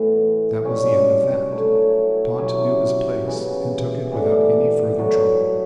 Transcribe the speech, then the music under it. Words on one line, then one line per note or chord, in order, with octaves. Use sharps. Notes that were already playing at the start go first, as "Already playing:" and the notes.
That was the end of that, Pont knew his place and took it without any further trouble.
Already playing: A2 E3 B3
G2 F#3 C#4 G4
F#3 A3 E4
F#3 C#4 E4 G4
C#3 E3 B3
A2 E3 B3 D4
F#3 B3 F#4 A4